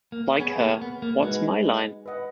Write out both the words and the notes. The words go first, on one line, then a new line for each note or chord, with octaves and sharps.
Like her What's My Line?
A#3
B3 G#4 C#5 G#5 B5
A#3
B3
A#3
G#3 D#4 F#4 B4 F#5
B4 D#5 F#5